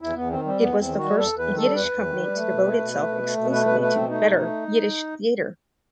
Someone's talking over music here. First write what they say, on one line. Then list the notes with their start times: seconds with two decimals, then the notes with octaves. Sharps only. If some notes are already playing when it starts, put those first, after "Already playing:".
It was the first Yiddish company to devote itself exclusively to "better" Yiddish theater.
0.01 E2 E4
0.15 E2 B3
0.30 D#3 C4
0.45 G3 C4
0.59 E2 B3
0.74 E2 C4
0.89 D#3
0.98 F#4
1.04 G3
1.18 E2 A4
1.32 E2
1.38 B4
1.47 D#3
1.57 A4
1.62 G3
1.76 E2 B4
1.91 E2
2.05 D#3
2.20 G3
2.34 A3
2.50 B2
2.64 A3
2.79 B2
2.93 A3
3.08 B2
3.22 A3
3.37 B2
3.51 A3 B4
3.66 B2 B4
3.80 A3 B4
3.95 B2 C4
4.09 A3 D#4
4.24 B2
4.39 A3